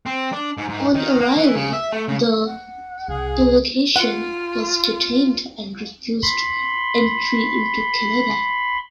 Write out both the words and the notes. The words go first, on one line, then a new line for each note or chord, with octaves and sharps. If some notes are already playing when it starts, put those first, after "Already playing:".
On arrival the delegation was detained and refused entry into Canada.
C4
D4
G#2
G#2
D#3
A#3
E3
C#3
E5
A3
C#3
F#5
C2 G#4
F4 F#5
B5 C6